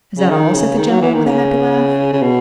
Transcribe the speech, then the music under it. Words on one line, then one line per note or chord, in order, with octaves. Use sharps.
"Is that all?" said the gentleman with a happy laugh.
C#3
D#3
C#3
D#3
F#3
E3
D#3
C#3
C#3
B2